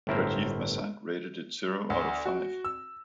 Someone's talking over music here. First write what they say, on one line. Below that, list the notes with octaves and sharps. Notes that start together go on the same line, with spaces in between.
Rajeev Masand rated it zero out of five.
G1 A2 E4 A#4 C5
D2
F#4
E6